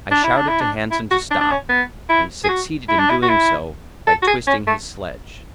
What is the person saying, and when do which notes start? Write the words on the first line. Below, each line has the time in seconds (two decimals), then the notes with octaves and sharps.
I shouted to Hanssen to stop, and he succeeded in doing so by twisting his sledge.
0.11 D4
0.23 E4
0.36 D4
0.48 E4
0.61 D4
0.91 E4
1.11 F#4
1.30 D4
1.41 D4
1.50 C#4
1.69 B3
2.09 E4
2.44 G#4
2.49 F#4
2.88 E4
2.99 D4
3.10 E4
3.22 F#4
3.28 E4
4.07 A4
4.22 F#4
4.27 G#4
4.47 C#4
4.67 A3